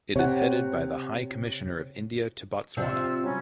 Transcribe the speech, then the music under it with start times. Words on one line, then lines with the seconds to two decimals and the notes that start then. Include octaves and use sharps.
It is headed by the High Commissioner of India to Botswana.
0.16 C3 C#5 F#5
2.77 C3 F3 C4 D4 F4 E6
3.23 F#3 G3 C#4